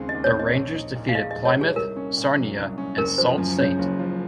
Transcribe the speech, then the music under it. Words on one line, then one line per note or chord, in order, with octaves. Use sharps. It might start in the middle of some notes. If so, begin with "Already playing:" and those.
The Rangers defeated Plymouth, Sarnia and Sault Ste.
Already playing: D#2 C#3 G#3 C4
D#5
D#2
C#5
C4 D#5
A#1
D#4
A#2
F5
G#3 D#5
D#5
A#1
C#5
D#4
G#4
C2 A#4
C#4
A#2
F#3
C2
C#4
F#1 A#4
F3 C5
F#2
C#3 C#5
F#1
F3